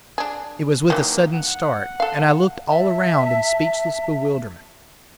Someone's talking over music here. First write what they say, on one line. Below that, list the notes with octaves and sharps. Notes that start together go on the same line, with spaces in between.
It was with a sudden start, and I looked all around in speechless bewilderment.
D4 G#4
D#3 E3 F#3 A#3
F#5
A4 F5
E5 A5